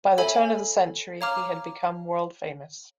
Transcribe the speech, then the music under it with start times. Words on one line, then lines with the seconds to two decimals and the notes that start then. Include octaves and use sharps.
By the turn of the century, he had become world-famous.
0.18 A4 C#5 E5 G#5 B5
1.21 C#5 F5 A#5 D6 F6